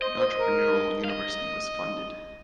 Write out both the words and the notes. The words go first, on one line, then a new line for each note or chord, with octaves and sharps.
The Entrepreneurial University was funded.
C5 D#5
C5
A#4
F5
D#5